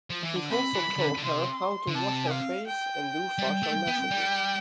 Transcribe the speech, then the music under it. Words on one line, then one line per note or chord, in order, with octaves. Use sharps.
He also taught her how to wash her face and do facial massages.
F3
E3
D3
C3 B5
E3
D3
D3
C3 C6
D3
C3 A5
F5
G5
G3
A3
B3
G3